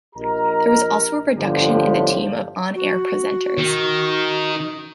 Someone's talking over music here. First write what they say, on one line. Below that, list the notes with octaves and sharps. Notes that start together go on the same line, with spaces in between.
There was also a reduction in the team of on air presenters.
A#1 G4 A#4 D#5 A#5
G1 A2 D3 F3 G4
F#4
D#3